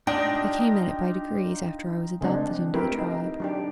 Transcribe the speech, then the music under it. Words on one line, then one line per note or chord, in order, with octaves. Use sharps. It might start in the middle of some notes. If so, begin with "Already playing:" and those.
I came at it by degrees, after I was adopted into the tribe.
D4 D#4 F4 G4 G5 D#6 A#6
C#3 G#3 C4 D4
A3 C4 E4 G4 A#4 B4
D#4
D#4
F#3 D4 G4